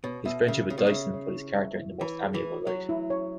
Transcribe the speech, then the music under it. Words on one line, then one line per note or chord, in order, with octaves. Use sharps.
His friendship with Dyson puts his character in the most amiable light.
B2 C#5
B2 E5
C#3 E5
C#3 C#5
B2
C#3
E5
C#5
E4
E5
E4
E3 C#5
G#4
E3
E4
F#3 C#5
E4
C#5